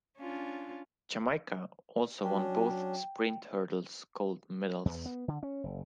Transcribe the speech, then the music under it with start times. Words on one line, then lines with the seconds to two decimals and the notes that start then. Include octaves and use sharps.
Jamaica also won both sprint hurdles gold medals.
0.18 C#4 D4 F4
2.23 F#3 C#4 D4 G5
4.85 E2
5.06 B3
5.28 D3
5.43 C#4
5.64 F#1